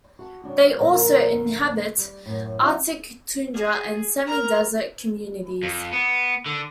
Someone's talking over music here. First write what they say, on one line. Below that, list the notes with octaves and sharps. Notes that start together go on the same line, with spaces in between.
They also inhabit arctic tundra and semidesert communities.
F#4 A5
C#3 G3 D4 F#4
A#2 D3 F3 A#3 A4 A#4
G3 D5
F#2 A2
F3 C4 E4 F#4
G#4
A#4 A#5
F2
B3
D3